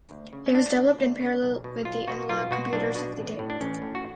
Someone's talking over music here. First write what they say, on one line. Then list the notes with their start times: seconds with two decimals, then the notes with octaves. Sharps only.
It was developed in parallel with the analog computers of the day.
0.11 D2
0.33 C#3
0.46 C#4
0.55 D2 D4
0.77 C#3
0.99 D2
1.20 C#3
1.43 B1
1.64 B2
1.85 B1 F4
2.07 B2 F#4
2.29 B1 F4
2.51 B2 F#4
2.73 B1 D4
2.95 B2
3.18 A1
3.39 A2
3.50 D4
3.61 A1 C#4
3.82 A2
3.95 F#4